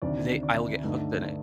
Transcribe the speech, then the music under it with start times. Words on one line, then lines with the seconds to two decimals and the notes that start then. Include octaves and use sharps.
they I will get hooked in it,
0.02 D2 C3 D#3 D5
0.43 D5
0.84 G2 D3 A3 D#4